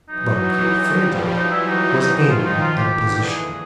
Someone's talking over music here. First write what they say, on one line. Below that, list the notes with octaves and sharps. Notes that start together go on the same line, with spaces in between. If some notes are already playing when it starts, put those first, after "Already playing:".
Barkilphedro was aiming at a position.
E3 F#3 D#4
F3 G3
E3 F#3 D#4
E4
D#4
D#3 F3 D#4
D#4
F4
D#4
F4
G4
D3 E3
G4
G#3 A#3 G#4